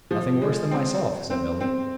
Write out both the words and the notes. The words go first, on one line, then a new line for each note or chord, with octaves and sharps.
"Nothing worse than myself," said Billy.
F3
G#3
C4
C4
C4